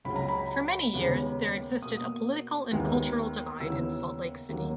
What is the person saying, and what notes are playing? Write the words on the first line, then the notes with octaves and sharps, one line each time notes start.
For many years, there existed a political and cultural divide in Salt Lake City.
C#2 C#3 F#3 B5
A#5
B5
D#2 C#3 G#3 B3
B2 A#3 D#6
D#2 D#3 G#3 B3
D#2 C#3 E3 B3 E6
D#2 D#3 F#3 A#3